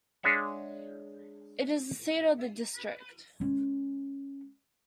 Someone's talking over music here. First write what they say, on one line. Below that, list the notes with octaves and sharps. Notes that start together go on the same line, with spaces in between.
It is the seat of the district.
G#3 D4 G#4 C#5 E5 F#5
G#3 C#4